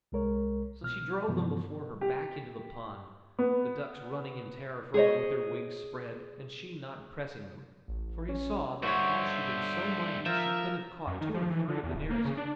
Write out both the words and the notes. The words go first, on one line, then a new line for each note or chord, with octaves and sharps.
So she drove them before her back into the pond, the ducks running in terror from her with their wings spread, and she not pressing them, for he saw that had she been so minded she could have caught two or three of the nearest.
C2 G#3 A#4 C#5
B2 F6
G2 C3 E3 F3 B3
G4
B3
G#4 C5 C#5 D#5
A1
C#4
G2 D3 F#4 C5 C#5 E5
F3 A#4 E5 A#5
F#2
D#3
F3
E3
D3
E2
D1
A#3
C#3
D4